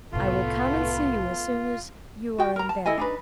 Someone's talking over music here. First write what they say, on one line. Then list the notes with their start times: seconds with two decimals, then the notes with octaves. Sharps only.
I will come and see you as soon as you are in bed.
0.12 C2 A2 A3 B3 F4
2.38 F#4 G5
2.56 A#4 A#5
2.69 A5
2.86 E4 A4 D#5 G#5
2.98 D4 D#4 B4